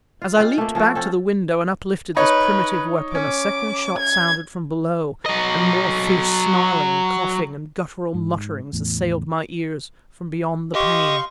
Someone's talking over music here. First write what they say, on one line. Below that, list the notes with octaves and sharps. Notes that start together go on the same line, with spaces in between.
As I leaped back to the window and uplifted this primitive weapon, a second shot sounded from below, and more fierce snarling, coughing, and guttural mutterings assailed my ears from beyond the pane.
F4
G#3 C4 F4
A3 A#3
F3 C#4 F#4 A4
C4 C#4 A4
D#4 B4 C#5
C#4 D6
G#6
F#3 D#5
G#2
E2 A2
G4 D#5 F5 C6 C#6